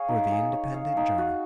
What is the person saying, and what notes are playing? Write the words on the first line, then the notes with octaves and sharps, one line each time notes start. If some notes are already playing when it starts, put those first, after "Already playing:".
For the Independent Journal.
Already playing: G#4 C#5 F5
D#4
G#4
C#5
F5
D#4
F#4